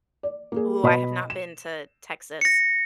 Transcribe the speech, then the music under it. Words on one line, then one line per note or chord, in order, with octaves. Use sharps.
Ooh, I have not been to Texas.
D5
A#3 G#4
B2 D#5 B5
E7
A#6 C#7